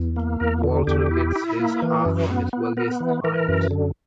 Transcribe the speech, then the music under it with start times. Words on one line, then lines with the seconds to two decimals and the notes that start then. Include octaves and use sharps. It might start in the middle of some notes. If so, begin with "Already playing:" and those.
Walter gets his half from his wealthiest client.
Already playing: E2
0.16 A#3
0.40 E2 A#4
0.64 D3
0.87 E2 G4
1.11 E4
1.36 E4
1.59 A#3
1.82 E3
2.05 F#2
2.30 B3
2.53 B3
2.77 B3 A#4
3.00 E3
3.24 E3 A#4
3.48 F#2
3.71 D3